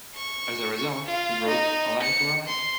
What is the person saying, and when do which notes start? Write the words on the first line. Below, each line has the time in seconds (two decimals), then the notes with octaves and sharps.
As a result, he wrote A Life for a Life?
0.15 C#6
1.06 F4
1.47 D#4
2.02 C#7
2.48 C6